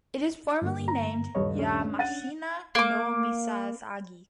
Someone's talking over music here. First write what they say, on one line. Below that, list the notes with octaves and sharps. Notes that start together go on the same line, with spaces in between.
It is formally named "Yamashina no misasagi".
G2 D3 A#3
A#5
D#1 G2 C#5 D#5
C#4 D4
F#5 A6 D#7
A#3 D6